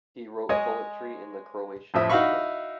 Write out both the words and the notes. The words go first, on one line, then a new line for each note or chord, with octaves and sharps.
He wrote poetry in the Croatian language.
G#3 C#5 D#5
F2 A2 F3 E5 D#6
D#4 E4 F#4 F5 B5 C#6